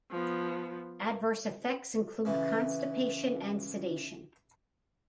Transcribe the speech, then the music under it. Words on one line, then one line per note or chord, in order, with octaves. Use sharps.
Adverse effects include constipation and sedation.
F3 B3
C#3 E3